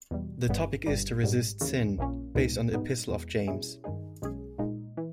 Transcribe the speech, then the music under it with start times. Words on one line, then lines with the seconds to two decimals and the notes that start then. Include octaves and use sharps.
The topic is to resist sin, based on the Epistle of James.
0.11 E2 B2 G3
0.48 G1 G2 G3 B3
0.86 G1 G2 G3
1.23 G#1 G#2 G3
1.61 D#2 C#3 E3
1.98 A#1 A#2 A#3 C#4
2.35 C#2 B2 G#3 B3 D#4
2.72 G#2 G3 B3 D#4
3.09 E2 B2 G#3
3.47 B2 G3 C#4 E4 G#4
3.84 G2 D#3 G#3 D#4 G#4
4.22 B1 B2 G#3 C#4 G#4
4.58 A#2 G#3 D#4
4.97 E3